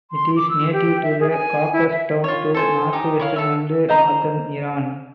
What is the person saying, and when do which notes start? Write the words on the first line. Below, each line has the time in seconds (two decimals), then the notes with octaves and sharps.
It is native to the Caucasus down to north western and northern Iran.
0.11 C6
0.36 D6
0.50 E6
0.72 G4
1.02 E5
1.20 G#4
1.32 G#5
1.73 E4
1.91 E5
2.24 F4 C#5
2.54 A4 C5 G#5
2.93 D#4 G4 D#6
3.20 E4 C#5 F5
3.36 A4 E5
3.89 C5 D#5 A#5